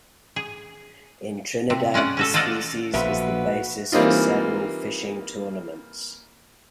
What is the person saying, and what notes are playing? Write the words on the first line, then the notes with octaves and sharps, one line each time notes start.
In Trinidad, the species is the basis for several fishing tournaments.
G#4
C3
G#3 C#4 D5 F#5
C#4 F#4 A4
F4 A4 C5 D5 D#5 F#5
A#1 B2 D3 F3 F#4 B4 E5
E3 G3 A#3 C4 D#4 F4